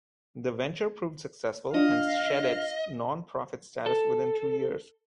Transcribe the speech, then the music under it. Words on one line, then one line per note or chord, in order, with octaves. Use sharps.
The venture proved successful and shed its non-profit status within two years.
D4 F4 D#5 F5
A4